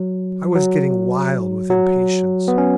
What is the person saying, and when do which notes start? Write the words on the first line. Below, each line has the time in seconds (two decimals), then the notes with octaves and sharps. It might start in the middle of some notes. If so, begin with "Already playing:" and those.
I was getting wild with impatience.
Already playing: F#3
0.55 F#3
1.70 F#3
2.48 B3
2.58 C#4